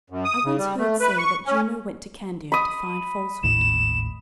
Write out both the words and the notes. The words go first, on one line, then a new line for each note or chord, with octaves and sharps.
I once heard say that Juno went to Candia to find Falsehood.
F#2
D#6
C#3
G3
A3
B4
C#6
C#4
B5 D#6
G#1 D#2 A2 E7